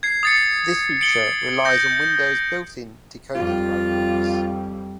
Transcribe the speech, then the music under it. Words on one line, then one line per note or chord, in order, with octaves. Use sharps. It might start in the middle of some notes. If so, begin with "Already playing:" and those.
This feature relies on Windows' built in decoding libraries.
G#6 C7
D#6 A6 C#7
C#7 D7 F#7 G7
G6 A#6
F2 G3 F4